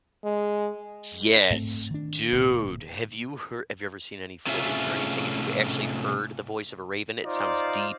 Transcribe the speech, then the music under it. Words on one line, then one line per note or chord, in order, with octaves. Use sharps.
Yes, dude, have you hear have you ever seen any footage or anything? Have you actually heard the voice of a raven? It sounds deep,
G#3
G#2 A3 C4
D#3 D4
D1 G2 A#2
A2 C3 C#4 F4 G#4 E5
D#4 F4 C5 D5